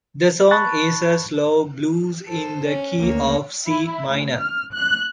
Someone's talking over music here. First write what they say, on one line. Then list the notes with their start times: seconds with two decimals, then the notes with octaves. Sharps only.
The song is a slow blues in the key of C minor.
0.51 A5 B5 C#6 F#6 A6
2.27 A4 C5
2.64 C#4
3.00 D2 A#3 C#5
3.68 E4
4.09 D2
4.39 F6
4.74 F#6